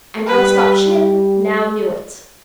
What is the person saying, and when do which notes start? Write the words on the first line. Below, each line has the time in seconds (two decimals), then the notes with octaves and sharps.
And Rostopchin now knew it.
0.26 G3 B4